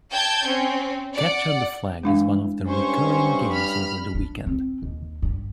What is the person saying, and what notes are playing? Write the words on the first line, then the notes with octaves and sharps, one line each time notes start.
Capture the Flag is one of the recurring games over the weekend.
G5 A5 G6 G#6
C4 C#4
D5 F#5
E3 G#3 D4 F5
G2 C#4 C5 C#6
B5 F6
D4
C4
D#2
G2